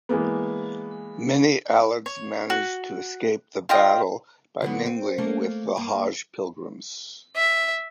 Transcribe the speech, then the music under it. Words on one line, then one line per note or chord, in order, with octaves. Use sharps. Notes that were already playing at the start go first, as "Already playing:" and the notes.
Many Alids managed to escape the battle by mingling with the Hajj pilgrims.
E3 G#3 A#3 B3
C#5
F#4
F4 D#5 G5 D#6
D3 F#3 B3
C4
A3 A#3 A4
G2 A#3
E5